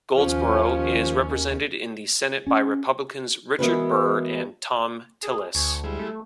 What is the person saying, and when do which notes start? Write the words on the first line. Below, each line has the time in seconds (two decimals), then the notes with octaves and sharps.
Goldsboro is represented in the Senate by Republicans Richard Burr and Thom Tillis.
0.16 D#2 F3 C#4
2.47 C#4
3.59 E3 G#3 B3 F#4 A#4 B4
5.23 G#4
5.55 D2 G#5 C#6
5.84 G3 G#3 E4
5.99 A3